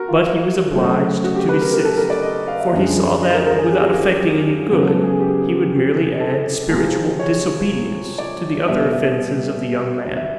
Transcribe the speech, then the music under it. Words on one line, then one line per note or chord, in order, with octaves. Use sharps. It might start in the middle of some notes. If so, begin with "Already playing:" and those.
But he was obliged to desist; for he saw that, without effecting any good, he would merely add spiritual disobedience to the other offenses of the young man.
Already playing: F#4 A#4
F4
C#3 F#3 A3 C4
F#4
G4
B4
A#4
A#4
A4
A#4
D5
D#5
F5
E5
F#2 D3 F3 G#3
D#5
A#4
A#4
G#4
G4
F#4
G4
C#3 F#3 B3
A4
G#4
G4
A4
C3 F3 G#3
C#5
D5
B2 G3 B3 E5
E5
E5